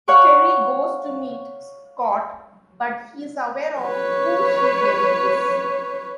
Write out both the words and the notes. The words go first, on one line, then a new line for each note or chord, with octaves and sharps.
Terry goes to meet Scott, but he's aware of who she really is.
C#5 F5 F#5 C#6 D6
B4 C#5